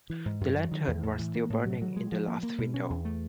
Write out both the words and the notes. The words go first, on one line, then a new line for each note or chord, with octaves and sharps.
The lantern was still burning in the loft-window.
E3
G#2
F#2
F#3
D#3
E2
A2
E3
A#3
A2
F#3
F#3
G#3
F3
A#3
A#3
B2
C#4
E2
A3